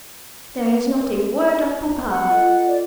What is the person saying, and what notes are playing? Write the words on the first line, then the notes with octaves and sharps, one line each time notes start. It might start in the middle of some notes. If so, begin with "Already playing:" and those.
"There is not a word of papa!"
F#5
F4 A4 D#5
D5